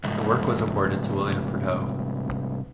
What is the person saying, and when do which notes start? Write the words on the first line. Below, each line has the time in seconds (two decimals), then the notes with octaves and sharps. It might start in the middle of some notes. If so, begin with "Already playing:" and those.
The work was awarded to William Prudhoe.
0.04 C2 G#2